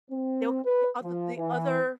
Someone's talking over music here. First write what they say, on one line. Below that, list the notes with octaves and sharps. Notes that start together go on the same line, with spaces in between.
They'll g other The other
C4
B4
F3
E3